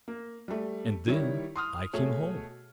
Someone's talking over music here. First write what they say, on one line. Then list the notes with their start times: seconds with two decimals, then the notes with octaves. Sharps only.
And then I came home.
0.08 A#3
0.48 G3 A3
1.07 D#3 G3 E4 C#5
1.56 C6 D#6 F6
1.93 B2 A3 G#4 C#5